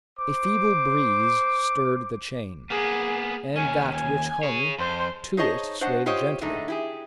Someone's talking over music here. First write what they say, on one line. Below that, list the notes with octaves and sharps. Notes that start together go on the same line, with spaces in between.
A feeble breeze stirred the chain, and that which hung to it swayed gently.
C5 D6
A#3 B3 G#4
D#2 C#4 G#5
G#5
G#4 C#5
F2 C5
D#4 G#4 C5 C#5 D#5 A5
D4 C5 C#5 D#5 F#5
F4 G4 C5 C#5 D#5
A2 D3 G#3 A3 D#4
E4 G4 G#4